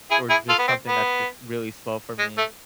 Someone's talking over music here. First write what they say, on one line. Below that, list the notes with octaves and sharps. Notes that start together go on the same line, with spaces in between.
or just something that's just really slow for me.
E4 G#4
E4 G#4
F4 A4
B3
C4
B3
G#3
A3